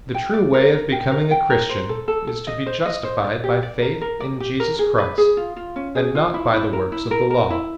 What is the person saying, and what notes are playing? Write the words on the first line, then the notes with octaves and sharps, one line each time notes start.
The true way of becoming a Christian is to be justified by faith in Jesus Christ, and not by the works of the Law.
G5
D5
A#4
A#4
G5
A#4
G5
A#4
C5
A4
A4
A4
D#5
C5
D#5
C5
D5
G4
D5
A#4
A#4
D5
G4
A#4
G#4
B4
G#4
F4
F4
C#4
G#4
F4
E4
E4
A#4
E4
A#4
A#4
E4